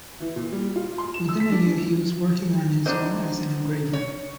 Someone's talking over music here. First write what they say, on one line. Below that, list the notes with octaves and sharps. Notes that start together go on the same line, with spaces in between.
Within a year he was working on his own as an engraver.
E3
A#2
G3
F4
C6
E7
E6
B6
D4
F#3 D4 C5 D#5
C#5